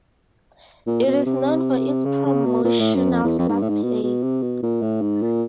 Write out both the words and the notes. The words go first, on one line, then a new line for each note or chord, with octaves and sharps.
It is known for its promotional slot play.
A#2
B2
C3
C#3
C#3
B2
A#2
A2
F#2
F2
E2
F2
G#2
G2
A2
G#2
B2
B2
C3
B2
A#2
A2
G#2
A#2